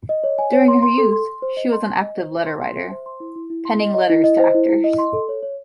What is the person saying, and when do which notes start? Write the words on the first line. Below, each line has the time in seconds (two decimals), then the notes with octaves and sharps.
During her youth, she was an active letter-writer, penning letters to actors.
0.09 D#5
0.24 C#5
0.38 G#5
0.53 C#5
0.68 C6
0.83 C6
0.98 A4
1.12 C6
1.27 C6
1.42 C5
1.57 D#5
1.73 C6
1.86 G#5
2.02 D#5
2.17 C5
2.32 C5
2.46 C6
2.62 C6
2.76 E5
2.91 C5
3.06 C6
3.20 E4
3.36 E4
3.50 E4
3.65 C6
3.80 D#5
3.94 D#5
4.10 E4
4.24 D#5
4.39 C5
4.55 E4
4.69 E4
4.84 D#5
4.98 C6
5.13 A4
5.29 C#5
5.43 C#5